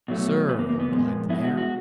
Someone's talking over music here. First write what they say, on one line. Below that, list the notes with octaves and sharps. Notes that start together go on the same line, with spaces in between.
"Sir," replied the mayor.
B2 F#3 A3
E2 C#3 B3
A#3
A#3
B3
A#2 F3 G#3
B2 G#3 E4
F#4
F#4